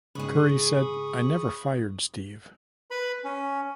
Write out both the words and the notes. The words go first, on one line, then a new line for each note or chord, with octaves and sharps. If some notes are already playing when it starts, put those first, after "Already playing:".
Curry said, I never fired Steve.
G#2 C#3 G#4 B4 B5 C#6 D#6
B4 B5
C#4